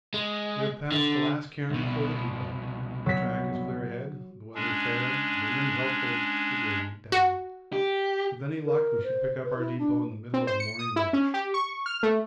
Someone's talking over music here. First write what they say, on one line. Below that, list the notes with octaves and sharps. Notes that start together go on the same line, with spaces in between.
We have passed the last cairn before the depot, the track is clear ahead, the weather fair, the wind helpful, the gradient down--with any luck we should pick up our depot in the middle of the morning march.
G#3
D3
C2 B2
F#3 B6
G#3 C#4 D4
F#4
G4
A#4
C5
B4
E4
D4
C4
C5
C#7
D#6
E4
C#4
G4
C#6
F6
A3